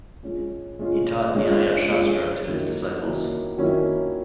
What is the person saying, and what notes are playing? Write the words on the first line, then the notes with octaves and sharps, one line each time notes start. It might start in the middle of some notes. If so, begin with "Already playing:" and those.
He taught Nyaya Shastra to his disciples.
G#3 C#4 F4
G#3 C#4 F4
G#3 C#4 F4
G#3 C#4 F4
D#3 F#3 A#3 C#4 E4
D#3 F#3 A#3 C#4 E4
D#3 F#3 A#3 C#4 E4